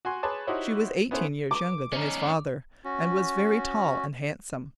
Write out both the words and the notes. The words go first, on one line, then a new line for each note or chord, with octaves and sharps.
She was eighteen years younger than his father, and was very tall and handsome.
F#4 G#5 C6 C#6
G#4 B4 C#5 A5 C6 D6
D#4 E4 F#4 G4 C5 C#5
B3 C#4 E4 A4 C5
D6
C#4 D#4
C#4 F#4